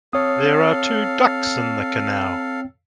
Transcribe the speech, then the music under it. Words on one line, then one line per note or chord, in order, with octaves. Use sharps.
There are two ducks in the canal.
C4 A4 C#5 F5 D#6